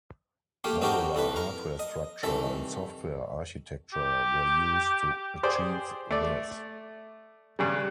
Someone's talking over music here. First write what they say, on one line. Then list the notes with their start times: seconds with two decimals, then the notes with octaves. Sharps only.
Modular hardware structure and software architecture were used to achieve this.
0.64 A3 A#3 F4 G4
0.81 C4 D#4 F#4 G4 A4 A#4
1.15 F2 E4 A4 B4
1.36 A#4 A#5
1.79 D#5
2.23 C2 D#3 E3 A4 E5
3.93 G4
5.43 G4 G#4 C5 D5
6.11 A3 D5
7.59 G2 C#3 G3